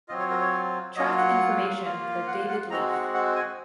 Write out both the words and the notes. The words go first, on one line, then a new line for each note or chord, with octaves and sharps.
Track information per David Leaf.
F#3 C4 F4 D#5
C#5
A#4
C#5
F#3 A#3 F4 D#5
F#5
A#3 F4
F#5
F#5
G#3 C4 F#4 A#5
F#5
F#5
G#5